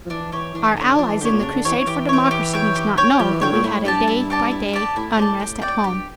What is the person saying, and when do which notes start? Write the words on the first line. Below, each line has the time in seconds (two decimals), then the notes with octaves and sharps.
Our allies in the crusade for democracy must not know that we had a day-by-day unrest at home.
0.05 F3
0.10 E3 D4
0.32 E3 G4 C#5
0.54 E3 D4
0.77 D3 G4 C#5
0.99 F3 D4
1.10 E3
1.20 D3 G4 C#5
1.32 A#2
1.43 C#3 D4
1.54 D3
1.65 E3 G4 C#5
1.86 E3 G4
2.09 C#5 G5
2.31 G4
2.53 C#5 G5
2.76 G4
2.98 C#5 G5
3.19 F3 G4
3.31 E3
3.41 D3 C#5 G5
3.52 A#2
3.63 A2 E4
3.85 G2 G4 D5 A5
4.08 E4
4.30 G4 D5 A5
4.51 E4
4.73 G4 D5 A5
4.96 A2 E4
5.18 A2 G4 D5 A5
5.40 G4
5.62 D5 G5
5.84 G2 G4